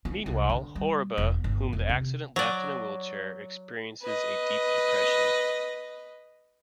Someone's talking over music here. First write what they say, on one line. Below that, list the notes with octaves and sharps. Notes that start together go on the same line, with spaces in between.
Meanwhile, Horiba, whom the accident left in a wheelchair, experiences a deep depression.
F4
C2
D3
G3
E1
G1
E1
C3
F#3 D5
B4 D#5